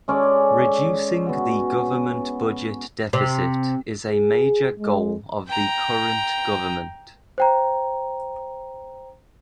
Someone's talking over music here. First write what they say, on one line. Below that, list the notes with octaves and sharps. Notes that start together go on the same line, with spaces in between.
Reducing the government budget deficit is a major goal of the current government.
G#3 C#4 A4 D5
B3 F#4
C3
G#4
G#3
G5 A#5
C5 G5 A#5